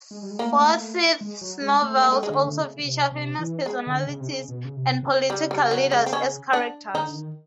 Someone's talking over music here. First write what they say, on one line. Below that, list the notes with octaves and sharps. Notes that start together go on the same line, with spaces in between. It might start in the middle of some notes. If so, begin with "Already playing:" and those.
Forsyth's novels also feature famous personalities and political leaders as characters.
G#3
G3
G#3
A3 A#3
G#3
F#3
G#3
A3
A3
G#3 A#3
A3
G#3
D3 A3
D3
C#3
C#3
C3
C3
E3
G#3
D3
C#3
C3
C#3
B2
C#3
C3
C#3
G3
G3
F#3
G#3
C4
C#4
D4
D3 D#4
D3
D#3